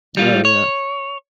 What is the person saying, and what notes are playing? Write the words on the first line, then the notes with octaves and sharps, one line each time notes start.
Oh, yeah.
G3 F4
C#5